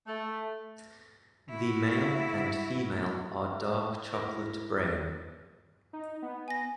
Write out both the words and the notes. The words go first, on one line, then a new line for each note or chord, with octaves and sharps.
The male and female are dark chocolate brown.
A3
E4 F#4
E4 A#4
D#4
B3
G#5 A#6